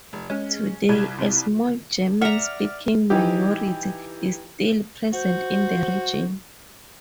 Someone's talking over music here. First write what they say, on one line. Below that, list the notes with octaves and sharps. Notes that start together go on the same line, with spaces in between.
Today, a small German-speaking minority is still present in the region.
F1
G#3 C#4
C2 G3 G#6
C3
D5 E5 F#5 A#5 F6
E3 D#4 G4
F#4 C5